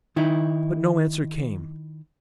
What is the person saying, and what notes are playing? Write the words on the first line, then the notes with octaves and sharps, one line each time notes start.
But no answer came.
D#3 D#4 E4